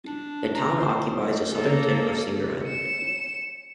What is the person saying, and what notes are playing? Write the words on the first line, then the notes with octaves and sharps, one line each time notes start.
The town occupies the southern tip of Singer Island.
D4
A#5
C5
A#3 A4
C#7 E7